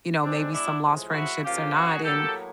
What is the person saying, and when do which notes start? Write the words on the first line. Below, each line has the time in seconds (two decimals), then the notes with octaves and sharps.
you know, maybe some lost friendships or not." And,
0.21 B2 G#3 C4 D4
0.51 D4 E4
0.83 A2 F3 G#3
1.13 E4 F#4
1.43 C#3 F3 A#3 F4 G4
1.74 F#4 G#4
2.04 A2 F#3 A#3 G4 A4